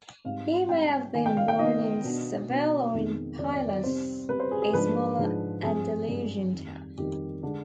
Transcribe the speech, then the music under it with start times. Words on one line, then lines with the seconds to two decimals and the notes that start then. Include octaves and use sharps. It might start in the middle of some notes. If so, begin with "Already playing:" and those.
He may have been born in Seville or in Pilas, a smaller Andalusian town.
0.24 G#2 G3 C4 F5
0.69 G#2 G3 C4 G5
1.14 D#3 B3 D#4 G#5
1.26 G5
1.37 F5
1.48 G5
1.59 D#3 B3 D#4 D#5
2.04 B2 B3 D4
2.49 B2 B3 D4
2.94 F2 D#3 G#3 B3 D#4
3.39 F2 D#3 G#3 B3 D#4 D5
3.53 D5
3.69 D5
3.84 C3 G3 C4 C5
4.29 C3 G3 C4 B4
4.40 C5
4.51 G#4
4.62 G#4
4.73 G#2 F3 G#3 D4 B4
5.18 G#2 F3 G#3 D4
5.63 G2 F3 G#3 C4 G#4
6.08 G2 F3 G#3 C4
6.53 F2 D#3 G3
6.98 F2 D#3 G3 G4
7.43 D3 G#3 D4